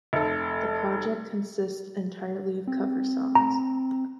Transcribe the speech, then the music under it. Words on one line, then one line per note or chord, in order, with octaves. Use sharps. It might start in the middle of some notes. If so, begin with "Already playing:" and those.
The project consists entirely of cover songs.
F1 A4
C4
A#5